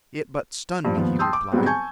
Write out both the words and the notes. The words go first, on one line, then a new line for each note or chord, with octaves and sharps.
"It but stunned me," he replied.
G2 F3
D#2 F3 B3
G5 A5 C6 D#6 E6 G6
D6
G#2 F#3 G3 B3 C4
G#5 A5 C#6 G6 G#6